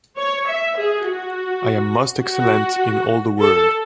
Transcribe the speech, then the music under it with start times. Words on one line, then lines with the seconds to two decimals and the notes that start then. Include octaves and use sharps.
I am most excellent in all the world!
0.17 C#5
0.47 E5
0.76 G#4
1.04 F#4
2.23 F#4
3.39 A4